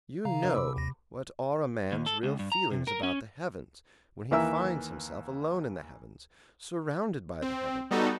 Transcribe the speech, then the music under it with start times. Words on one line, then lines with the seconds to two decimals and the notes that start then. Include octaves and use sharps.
You know what are a man's real feelings about the heavens, when he finds himself alone in the heavens, surrounded by the heavens.
0.25 C#3 F5 A#5
0.43 D4 A#4 D#5
0.55 C3 B5 D6 E6
0.77 D#2 A#6
1.92 D#2
2.06 A4
2.23 C#2
2.39 G2
2.52 A#5
2.71 C3
2.87 A#4
3.03 C#4
4.31 D#2 E3 A#4 E5 E6
7.42 C4
7.91 G3 B3 D#4 F#4 A4